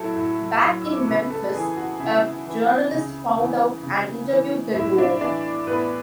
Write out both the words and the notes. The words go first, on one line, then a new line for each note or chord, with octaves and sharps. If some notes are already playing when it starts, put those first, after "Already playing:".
Back in Memphis, a journalist found out and interviewed the duo.
Already playing: A2 F#3 E4 F#4 A4 E5 A5
A2
F#3
E6
D6
C#6
C#3 B4 B5
A4 A5
E3 G#4 G#5
F#4 F#5
C#3 E4 E5
E3
C#3
E3
C#3
E3
A2 E4 E5
D4 D5
E3 D4 D5
A2 B3 B4